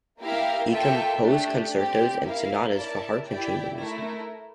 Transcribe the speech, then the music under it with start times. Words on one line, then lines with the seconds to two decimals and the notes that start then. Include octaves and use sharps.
He composed concertos and sonatas for harp and chamber music.
0.19 A#3 E4 G4 A#4 F5
0.71 A#3 F4 A4 E5 G5
1.21 A3 D4 G4
1.73 C4 G4 D5
2.24 A#3 E4 A#4 F5
2.75 E4 A#4 D5 A5
3.26 E4 G4 D5 G5
3.78 A3 E4 A#4